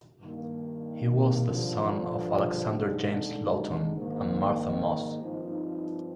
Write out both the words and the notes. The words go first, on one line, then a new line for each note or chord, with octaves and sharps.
He was the son of Alexander James Lawton and Martha Mosse.
G2 D#3 A#3
G2 D3 F3
D3 G#3 D#4
G#2 D#3 A#3
G2 F3 C4 D#4